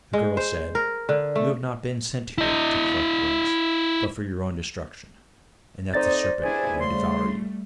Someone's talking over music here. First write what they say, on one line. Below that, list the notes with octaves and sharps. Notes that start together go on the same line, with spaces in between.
The girl said: 'You have not been sent here to collect rents, but for your own destruction, and that the serpent may devour you.'
G#3
C5
A#4
D3
A3
E4 D#5
A3 C4 D#4 C5 D5 A6
G2 D4 E4 G#4 G#5
C#3 G3 A3 C6